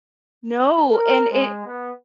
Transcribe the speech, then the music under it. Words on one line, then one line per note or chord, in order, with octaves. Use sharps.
No. And it
A#4
G#3
B3